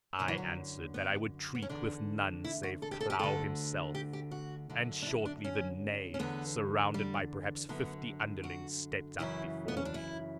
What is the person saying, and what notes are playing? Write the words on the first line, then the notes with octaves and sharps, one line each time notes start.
I answered that I would treat with none save Klow himself; and shortly the knave, surrounded by perhaps fifty underlings, stepped up before me.
F#2 D3 F#3
E3
F#3
B3
B3
C#4
E2 D3 D4
E4
F#4
A4
G4
A4
G4
D2 D3 A4
G4
G4
F#4
F#2 D3
D4
E4
D4
C#4
C#4
E2 D3 B3
G3
F#2 D3 B3
F#4
F#2 C#3 E3 E4
B3
C#4
D4
E4